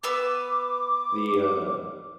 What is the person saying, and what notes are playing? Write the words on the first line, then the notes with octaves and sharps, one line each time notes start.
the, uh
B3 B4 D6 E6